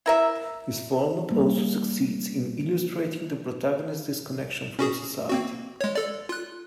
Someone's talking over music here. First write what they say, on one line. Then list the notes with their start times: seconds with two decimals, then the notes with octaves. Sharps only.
This format also succeeds in illustrating the protagonist's disconnection from society.
0.06 E4 A#4 E5
1.30 G3 A#3
4.79 C#4 F#4 G#4
5.29 A#3 C4 F#4
5.81 G#3 C#5
5.95 A4 D5
6.29 F4 F#6